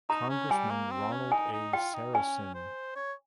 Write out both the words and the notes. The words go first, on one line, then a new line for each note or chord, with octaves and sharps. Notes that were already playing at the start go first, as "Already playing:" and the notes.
Congressman Ronald A. Sarasin.
D#4 A#5
C#4
G3 G#5
A#3
C4
C#4
D#4 G#5
D#4
F4 G5
D#4
C#4 G#5
C5
C#5